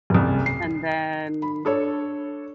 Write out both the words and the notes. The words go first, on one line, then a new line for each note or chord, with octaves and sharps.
and then,
F#1 C2
C7
B5
D4 A4 C#5